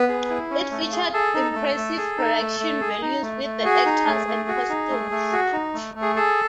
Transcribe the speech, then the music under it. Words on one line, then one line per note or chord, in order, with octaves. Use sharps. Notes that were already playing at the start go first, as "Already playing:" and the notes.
It featured impressive production values with the actors and costumes.
Already playing: B3 B4
G#4
E4
C#4
A3
G#4
G#4 A4
D#4
A3
A3
G#4
D#4
A3
A3
G#4
D#4
A3
A3
F#4 G#4
D#4
A3
A3
F#4
D#4
A3
A3
F#4
D#4
A3
A3
G#4
G#4 A4